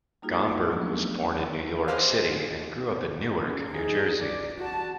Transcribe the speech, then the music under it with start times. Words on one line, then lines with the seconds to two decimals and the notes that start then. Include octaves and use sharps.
Gomberg was born in New York City, and grew up in Newark, New Jersey.
0.22 G3 A#3 D#4 F4 F#4 G#4
0.69 F3 F#3 G#3 A3 B3 D4
1.88 G4 G#4 B4 C5 D#5 F5
3.39 C#4
3.70 D#4 G#4
4.22 D5
4.58 F#4 A5